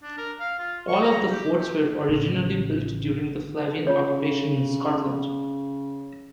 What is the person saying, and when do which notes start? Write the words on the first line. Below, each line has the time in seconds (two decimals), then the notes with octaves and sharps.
All of the forts were originally built during the Flavian occupation in Scotland.
0.03 D4
0.18 A#4
0.40 F5
0.59 F4
0.88 C#6
1.03 A#5
1.30 G4
1.60 G4
2.09 A1 C#3
3.87 C#3 F4 C#5